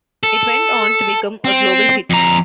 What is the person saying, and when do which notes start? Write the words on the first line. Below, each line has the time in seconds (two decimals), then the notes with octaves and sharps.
It went on to become a global hit.
0.23 A4
1.45 C4
2.10 F2 A#5